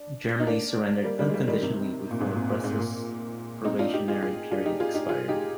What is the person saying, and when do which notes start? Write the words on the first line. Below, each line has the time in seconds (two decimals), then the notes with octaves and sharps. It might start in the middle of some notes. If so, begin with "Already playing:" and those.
Germany surrendered unconditionally before Busse's probationary period expired.
Already playing: D4
0.40 D#4
0.47 A#3 D4
1.04 G3 A#3
1.19 D#3 G3
1.29 G#3
1.34 G3 A#3
1.48 D#3 G3
1.62 C3 D#3
2.11 A#2
2.20 G#2 C3
2.35 A#2
2.49 A#2
2.64 G#2
2.79 A#2
3.64 C4 D#4
3.79 D4 F4
3.94 D#4 G4
4.08 F4 G#4
4.22 F4 G#4
4.51 D4 F4
4.66 D#4 G4
4.80 F4 G#4
4.95 D#4 G4
5.09 F4 G#4
5.28 D#4 G4